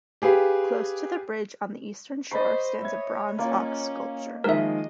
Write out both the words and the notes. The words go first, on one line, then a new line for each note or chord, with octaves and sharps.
Close to the bridge on the eastern shore stands a bronze ox sculpture.
G4 G#4 B4 F5
C5 D#5 B5 C#6 A6 C7
C#5 E5 G#6
A#3 C#4 F4 C#5
D#3 F3 G#3 A#4 D#5 E5